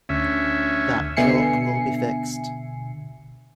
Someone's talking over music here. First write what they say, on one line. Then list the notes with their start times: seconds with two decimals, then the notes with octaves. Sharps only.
That joke will be fixed.
0.09 D2 C#4 E5
1.17 B2 D3 E5 G#5 C7 C#7